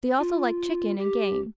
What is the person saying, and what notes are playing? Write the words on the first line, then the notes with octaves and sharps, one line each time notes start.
They also like chicken and game.
F4
G4